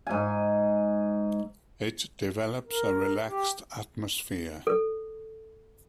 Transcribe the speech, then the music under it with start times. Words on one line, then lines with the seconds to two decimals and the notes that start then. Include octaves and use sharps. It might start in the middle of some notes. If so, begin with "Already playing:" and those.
It develops a relaxed atmosphere.
0.07 G#2 G#5
2.67 A#4
3.29 G4
4.67 A4